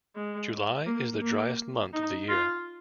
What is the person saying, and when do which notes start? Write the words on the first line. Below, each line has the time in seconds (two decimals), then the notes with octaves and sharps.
July is the driest month of the year.
0.16 G#3
0.86 A#3
1.22 A#3
1.94 D#4
2.29 F4